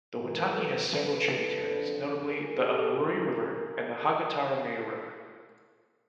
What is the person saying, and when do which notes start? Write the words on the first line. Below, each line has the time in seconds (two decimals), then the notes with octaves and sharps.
The Waitaki has several tributaries, notably the Ahuriri River and the Hakataramea River.
0.14 G#2 E3 G#4 A#4
0.49 A4 B4
0.85 A4 B4
1.55 F2 D3 F3
2.25 G#4 A#4
2.60 G4 A4
2.95 F#2 D#3 G#4 A#4